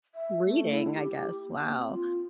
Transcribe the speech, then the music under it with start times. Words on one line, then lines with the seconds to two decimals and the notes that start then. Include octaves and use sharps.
reading, I guess, wow
0.15 E5
0.45 A3
0.70 E4
0.94 G4
1.46 A#3
1.69 C4
1.91 F4